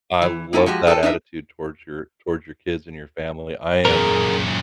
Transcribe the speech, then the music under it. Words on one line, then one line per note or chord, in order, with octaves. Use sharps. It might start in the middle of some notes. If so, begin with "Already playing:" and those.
I love that attitude towards your towards your kids and your family. I am
E3
A#3 D#4 E4 A4
F3 G#3 F#4 G4
G#4 A4 C5 G5 A5
D4 D#4 D#5 E5
F#2 A#2 G#4 A#4